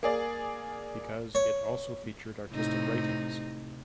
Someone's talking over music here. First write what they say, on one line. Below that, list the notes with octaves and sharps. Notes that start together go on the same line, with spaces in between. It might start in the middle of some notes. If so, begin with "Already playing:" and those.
Because it also featured artistic writings.
A#3 G#4 D5
C#5
A2 C3 D#4